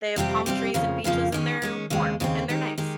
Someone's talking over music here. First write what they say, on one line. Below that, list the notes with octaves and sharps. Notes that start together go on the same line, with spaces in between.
they have have palm trees and beaches, they're warm, and they're nice.
F2 C3 G3 C4 G4
F2 C3 G3 C4 G4
F2 C#3 F3 A#3
F2 C#3 F3 A#3
D#3 G#3 C#4
D#3 G#3 C#4
D#2 C#3 G#3 C4
D#2 C#3 G#3 C4
D#3 G#3 D#4 G4
D#3 G#3 D#4 G4